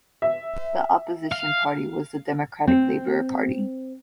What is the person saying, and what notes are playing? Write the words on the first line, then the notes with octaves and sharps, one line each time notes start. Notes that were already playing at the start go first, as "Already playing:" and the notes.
The Opposition party was the Democratic Labour Party.
E5
F5
C4